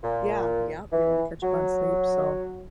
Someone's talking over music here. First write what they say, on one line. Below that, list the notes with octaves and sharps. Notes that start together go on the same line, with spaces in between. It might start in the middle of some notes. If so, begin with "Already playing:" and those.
Yeah, yep, you want to catch up on sleep, so
A#2
E3
F#3